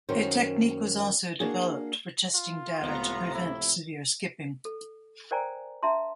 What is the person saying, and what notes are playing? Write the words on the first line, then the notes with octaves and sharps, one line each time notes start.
A technique was also developed for testing data to prevent severe skipping.
F#2 D#3 C#4 F#4 A#4 C5
A#3 D4 F#4 G#4
F4
C#2 A2 C3 F3 B3 A#5
E4
A4
A#4 C5 D5 G5 G#5 A#5
D4 E5 A5 A#5 C6